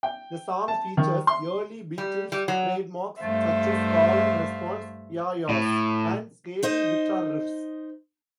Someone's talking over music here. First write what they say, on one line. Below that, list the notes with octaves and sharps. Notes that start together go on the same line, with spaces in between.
The song features early Beatles' trademarks such as call-and-response yeah-yeahs and scaling guitar riffs.
G5
A5
D#3
C6
G3
G3
F#3
G2 A3 C5 E5 F5
A2
D#4 C5 D#5